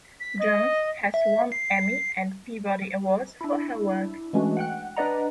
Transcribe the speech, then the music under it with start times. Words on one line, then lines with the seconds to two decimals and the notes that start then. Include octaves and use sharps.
Jones has won Emmy and Peabody awards for her work.
0.20 B6
0.39 D#5
1.14 E5
1.52 C7
3.41 D4 E4
4.33 E3 G#3 A3 C#4 D4 F#4
4.57 F#5 G5 F#6
4.96 D4 B4 D5 D#5 F#5 A#5